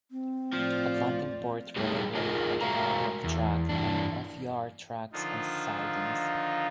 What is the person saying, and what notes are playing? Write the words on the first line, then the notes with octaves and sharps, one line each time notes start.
Atlantic Port Railway had about of tracks and of yard tracks and sidings.
C4
A2 F3 D5
G3 B3 D#4 G4 G#4 B4
D#4 F4 G#4 A#4 D#5
G#3 F#4 A#4 E5 F5 A#5
E2
G2 E3 D4
D3 D#3 F3 D#4 F4